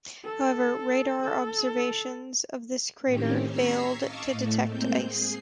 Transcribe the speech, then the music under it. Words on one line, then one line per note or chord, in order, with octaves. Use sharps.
However, radar observations of this crater failed to detect ice.
A4
A4
A2 D#3 C4 C#4 G4
A#5 C#6 E6 G#6 B6 C7
D#5 F5 A5 C#6 D6 E6
A2 A3
G#3 A#3 C4 G6
G#4 C7